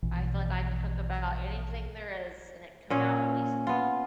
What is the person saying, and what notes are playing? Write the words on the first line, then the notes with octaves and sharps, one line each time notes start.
I feel like I can cook about anything there is and it come out at least
A#1 B2 E3
A#2 C#4 C#5
B3 F4